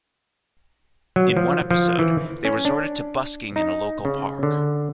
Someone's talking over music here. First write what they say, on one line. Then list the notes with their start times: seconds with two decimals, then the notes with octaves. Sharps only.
In one episode, they resorted to busking in a local park.
1.16 F#3
1.37 F3
1.71 F3
1.99 E3
2.45 C#4
2.65 D4
3.56 D#4
4.05 C#3
4.43 D3